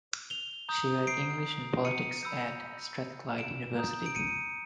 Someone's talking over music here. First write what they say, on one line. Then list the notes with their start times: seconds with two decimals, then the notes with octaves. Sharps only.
She read English and Politics at Strathclyde University.
0.30 F7 G7
0.69 A#5 D#6 G6
1.07 C7 D7
1.85 C#7 D#7
2.23 B5 E6 G6
3.38 D7 E7
3.76 A#5 D#6 G6
4.06 D7
4.15 C#7 D#7